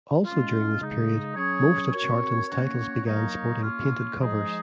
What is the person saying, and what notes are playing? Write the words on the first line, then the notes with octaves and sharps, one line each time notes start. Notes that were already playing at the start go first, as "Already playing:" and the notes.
Also during this period, most of Charlton's titles began sporting painted covers.
G#3 C#4 F4
C#3 G#3 D#4
F#3 C#4 G#4 C#5
C4 F#4 A#4 C#5
A#3 C#4 F#4 C#5
F#3 A#3 D#4 A#4 C#5
A#3 C#4 F4
F3 G#3 D#4 G#4 D#5